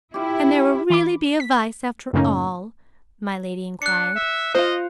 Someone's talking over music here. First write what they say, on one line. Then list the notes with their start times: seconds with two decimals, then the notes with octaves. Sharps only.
"And there will really be a Vice after all?" my Lady enquired.
0.14 E4 F4 G4
0.90 E3 B5 D6
1.40 B6
2.13 F#2 A2 C#3 A#3 C#4 D#4
3.82 D4 F#6 C#7
4.16 E5
4.55 F4 C5 D#5 F5